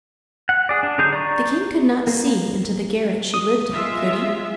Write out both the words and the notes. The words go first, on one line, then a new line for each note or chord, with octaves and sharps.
The king could not see into the garret she lived in, could he?
F#5
G#4 D5
D4
D3 F#3 D#4 G#4 G6
D5 A#5 C#6
A#3
D#6
G#3 F4 E5